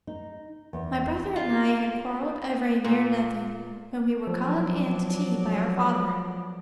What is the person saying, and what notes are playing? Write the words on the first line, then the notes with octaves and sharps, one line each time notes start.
My brother and I had quarrelled over a mere nothing, when we were called in to tea by our father.
D#4
E2
F4
A#2
F3 F#3 D4